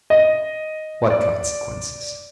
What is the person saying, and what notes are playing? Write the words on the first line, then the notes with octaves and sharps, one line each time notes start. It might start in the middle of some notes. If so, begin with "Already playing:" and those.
"What consequences?"
D#5
D5